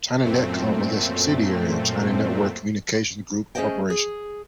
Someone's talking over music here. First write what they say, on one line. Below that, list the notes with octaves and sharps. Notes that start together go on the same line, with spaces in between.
China Netcom was a subsidiary of China Network Communications Group Corporation.
F#2 A#2 A3 C4
A3 C#4 G#4 C5 D#5 G5
G#4